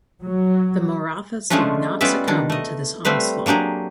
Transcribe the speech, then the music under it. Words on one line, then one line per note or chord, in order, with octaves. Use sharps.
The Marathas did not succumb to this onslaught.
F#3
F3 G#3 A3 C#4 D4 F4
G3 B3 C#4 F4 D5 E5
D#3 D4
A3 D#5
G3 A3 C4 B4 F5
F#3 A#3 D4 G4 G#4